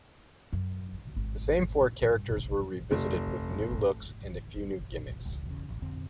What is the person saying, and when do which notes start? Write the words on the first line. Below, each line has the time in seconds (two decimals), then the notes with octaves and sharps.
The same four characters were revisited with new looks and a few new gimmicks.
0.53 F#2
1.16 G#1
2.01 G2
2.34 B1 C#3
2.91 F1
5.26 C#2
5.46 E2 C#3
5.69 A1
5.82 F2 D3 C4